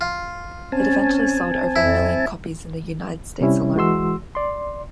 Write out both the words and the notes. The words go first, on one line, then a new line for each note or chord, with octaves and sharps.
It eventually sold over a million copies in the United States alone.
F4
C4 C#4 G#5 A5
F2 E4
C3 G3 C#4 E4
E3 G#3 F#4 C6 E6
D5 C6